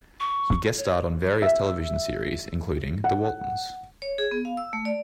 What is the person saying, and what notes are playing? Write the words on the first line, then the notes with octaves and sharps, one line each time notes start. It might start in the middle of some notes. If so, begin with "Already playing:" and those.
He guest-starred on various television series, including "The Waltons".
C#6
C#5
E5
F#5
C#5
G#4
B3
F5
E6
A3
D5